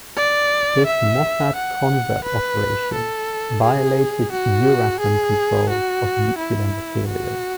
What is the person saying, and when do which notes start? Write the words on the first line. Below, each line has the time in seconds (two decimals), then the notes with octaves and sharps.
This Mossad covert operation violated Euratom controls of nuclear materials.
0.17 D5
0.86 E5
1.56 F#5
2.24 B4
2.94 A4
3.63 G#4
4.32 F#4
5.00 G#4
5.70 F#4
6.38 E4
7.07 F#4